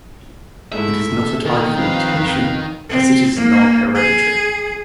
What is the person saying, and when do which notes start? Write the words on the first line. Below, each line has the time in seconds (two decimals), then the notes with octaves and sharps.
It is not a type of mutation, as it is non-hereditary.
0.72 G#2 G#3 A3 E4 E5
1.12 A#1 A4
1.45 D#3 A#3
1.77 F3 G3 C4 B4 F5
2.14 F2
2.89 C4
3.36 A#3
3.95 G#4